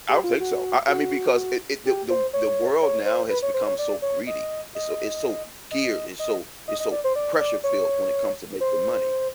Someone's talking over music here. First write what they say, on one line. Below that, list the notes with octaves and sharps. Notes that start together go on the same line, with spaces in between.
I don't think so, I I mean, because it it the the the world now has become so greedy. It's so it's so geared, it's so it's so pressure-filled when it comes to making money,
G4
F4
F#4
F#4
G4
C5
C#5
C#5
C5
B4
C#5
C5
C#5
D5
C#5
D#5
D#5
D#5
D#5
D#5
D#5
D5
C5
D5
D5
C#5
C5